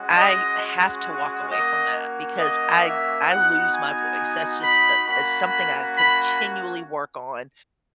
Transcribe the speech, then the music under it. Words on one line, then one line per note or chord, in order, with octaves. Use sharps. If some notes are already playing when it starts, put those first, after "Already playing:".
I have to walk away from that because I I lose my voice, that's just, uh uh, something I continually work on,
Already playing: G#3 C#4 F#4
D#5
A#3 C#4 F#4 D#5
D#5
E5
B3 D#4 F#4 F#5
G#5
B5
A#3 C#4 F#4 B5
B5